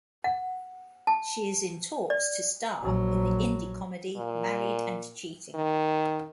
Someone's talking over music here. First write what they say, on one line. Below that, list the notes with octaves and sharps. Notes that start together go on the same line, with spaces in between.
She is in talks to star in the indie comedy "Married and Cheating".
F#5
A5
D5
A#1 F#3
A#2
D#3